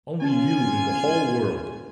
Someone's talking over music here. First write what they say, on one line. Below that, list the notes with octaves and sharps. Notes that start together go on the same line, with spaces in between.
Only you in the whole world.
C#4 F4 G#5